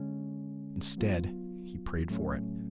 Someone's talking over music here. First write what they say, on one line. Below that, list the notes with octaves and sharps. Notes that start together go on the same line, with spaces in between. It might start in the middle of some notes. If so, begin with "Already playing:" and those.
Instead he prayed for it.
Already playing: D3 G#3 C#4
F#3 B3 F4
A2 F#3 A3 C#4